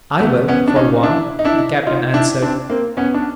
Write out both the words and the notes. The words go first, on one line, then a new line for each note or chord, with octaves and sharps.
"I will, for one," the Captain answered.
A3 B3
B3 C#4
D4
C#4 D#4
D4 E4
D#4
D4 E4
D#4 F4
D4 E4
C4 D4
A#3 C4
B3 C#4
D4